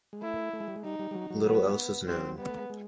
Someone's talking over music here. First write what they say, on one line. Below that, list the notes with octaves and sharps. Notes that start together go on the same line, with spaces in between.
Little else is known.
G#3
A3 E4
A3
G#3
G3
G#3
G3 D#4
G3
G3
F#3
F#3
B3
F#3 C4
G3 B3
A3
G#3
G#3